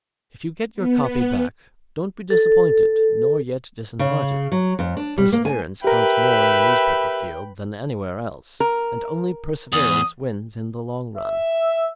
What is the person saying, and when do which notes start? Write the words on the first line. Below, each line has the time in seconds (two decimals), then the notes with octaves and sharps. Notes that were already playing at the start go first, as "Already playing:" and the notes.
If you get your copy back don't be disappointed nor yet disheartened. Perseverance counts more in the newspaper field than anywhere else, and only perseverance wins in the long run.
0.74 B3
2.30 A4
3.99 C#3
4.52 F#3
4.79 F2
4.97 D4
5.18 G3
5.32 A#3
5.45 G#5
5.84 G4 A#4 B4 E5 G5
8.60 A#4
9.72 E2 D#6
11.17 E5